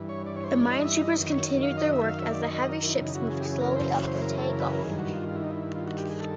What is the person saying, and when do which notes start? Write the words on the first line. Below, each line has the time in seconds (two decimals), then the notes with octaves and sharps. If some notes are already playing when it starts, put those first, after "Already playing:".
The minesweepers continued their work as the heavy ships moved slowly up Leyte Gulf.
Already playing: G2 E3
0.09 C#5
0.26 D5
0.36 C#5
0.44 C5
0.48 C#5
0.59 D5
0.71 D#5
0.85 E5
1.02 D#5
1.16 F#2 D#3
1.32 C#5
1.62 F5
1.77 D#5
1.93 E5
2.08 F5
2.19 E5
2.31 D5
2.43 D#5
2.54 D#5
2.69 A#4
2.84 E4
2.99 F#2 C#3 E3 D#4
3.15 F#4
3.30 G#4
3.40 G4
3.45 G#4
3.61 A#4
3.76 C5
4.07 C5
4.22 A#4
4.38 A4
4.49 A#4
4.60 B4
4.71 A#4
4.82 D#3 G#4
4.88 G2
4.98 F#4
5.13 F4
5.29 F4
5.36 E4
5.44 D#4
5.51 E4
5.75 F4
5.87 F#4
5.98 G4
6.10 G#4
6.20 A4